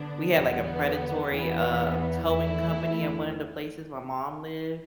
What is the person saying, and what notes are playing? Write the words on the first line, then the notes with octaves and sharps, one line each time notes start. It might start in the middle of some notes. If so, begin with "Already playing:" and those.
we had, like, a predatory, uh, towing company at one of the places my mom lived,
Already playing: D3 B3 D4
E2 D3 G3 B3
E2 E3 B3
E2 E3 A3 E4